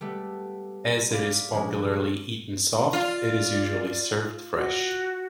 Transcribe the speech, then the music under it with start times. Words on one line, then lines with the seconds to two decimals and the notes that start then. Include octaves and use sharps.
As it is popularly eaten soft, it is usually served fresh.
0.01 G3 A3 B3
1.11 D5 F5 B5
1.52 A#2 F3 G#3 C#4 D4
1.93 C#5
2.93 F4 D5
4.54 F#4